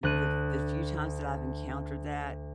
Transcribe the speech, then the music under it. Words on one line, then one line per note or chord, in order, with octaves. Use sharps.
the f the few times that I've encountered that
D2 F#6 D#7